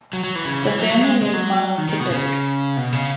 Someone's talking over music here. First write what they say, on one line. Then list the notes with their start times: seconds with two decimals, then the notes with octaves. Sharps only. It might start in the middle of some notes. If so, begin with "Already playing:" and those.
The family is monotypic.
0.13 F#3
0.24 F#3
0.35 E3
0.45 C#3
0.63 E3
0.79 F#3
0.90 F#3
1.01 G#3
1.22 G#3
1.33 F#3
1.78 D#3
1.89 D#3
2.00 B2
2.10 C#3
2.77 B2
2.92 C#3